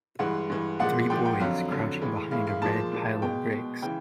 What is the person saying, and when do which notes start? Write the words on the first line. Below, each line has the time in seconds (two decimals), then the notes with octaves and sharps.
Three boys crouching behind a red pile of bricks.
0.19 G2 E3 G#3 F#5
0.50 G2 E3 G#3
0.79 A#2 F3 G#3 F#5
1.10 A#2 F3 G#3 G5
1.25 G5
1.40 F2 D3 F#3 F5
1.71 F2 D3 F#3
2.01 A2 E3 G#3
2.31 A2 E3 G#3 F5
2.47 F5
2.62 A#2 F3 G#3 A5
2.92 A#2 F3 G#3
3.22 B2 G#3 G5
3.52 B2 G#3
3.82 C#3 E3 G#3 G5